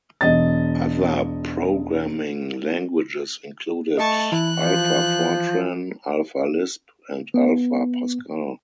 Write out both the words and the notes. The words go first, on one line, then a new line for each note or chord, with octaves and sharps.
Other programming languages included AlphaFortran, AlphaLisp and AlphaPascal.
E1 D#5 A6
A3 D#5 A5 C#6
E3 E4 F#6
F3
B3